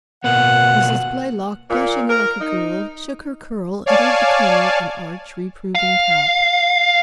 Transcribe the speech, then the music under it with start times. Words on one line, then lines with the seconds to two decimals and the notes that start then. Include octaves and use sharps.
Mrs. Blaylock, blushing like a girl, shook her curl and gave the Colonel an arch, reproving tap.
0.24 B2 A#3 B3 F#5
1.70 A#2
2.10 A#4
2.41 D#4
3.86 C#5 D5 F5 G#5 A5
5.75 F5